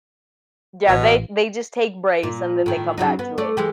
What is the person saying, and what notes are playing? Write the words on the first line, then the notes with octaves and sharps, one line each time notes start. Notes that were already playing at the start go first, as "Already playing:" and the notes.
Yeah, they they just take breaks, and then they come back to it.
A1 B2
A#2
A2 D#3
C#3 F#3 D#4
B3
A3 D5
E3 G#3 G4